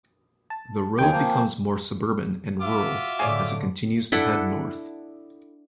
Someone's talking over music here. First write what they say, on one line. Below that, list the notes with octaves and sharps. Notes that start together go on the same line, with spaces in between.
The road becomes more suburban and rural as it continues to head north.
A5
D#2 D#3 G5 G#5
F3 A#3
F4 F#4 E5 D6
A2 D3 G#4 C#5 D5
D4 E4 A4 F#5